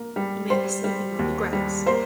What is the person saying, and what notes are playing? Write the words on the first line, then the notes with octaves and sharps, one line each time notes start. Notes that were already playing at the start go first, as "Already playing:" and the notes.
A man is sleeping on the grass.
Already playing: A#3
G3
G3 C5 C6
G3
D#2
G3
A#3 C5 C6